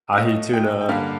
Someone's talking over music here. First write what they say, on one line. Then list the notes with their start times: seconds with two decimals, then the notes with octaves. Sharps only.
ahi tuna,
0.13 F5
0.17 A2 A3 D#5
0.53 G5
0.81 G5
0.89 G2 D3 G3 A#3 F5